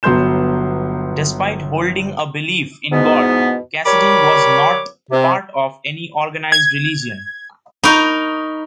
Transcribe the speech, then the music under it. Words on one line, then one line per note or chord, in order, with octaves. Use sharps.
Despite holding a belief in God, Cassidy was not part of any organized religion.
G1 F#3 B3 C6 G6 E7
E2 G#2 B2 B3
G3 A#4 C#5 B5 D6
C3
G#6
D#4 A#4 B5 C#6 G6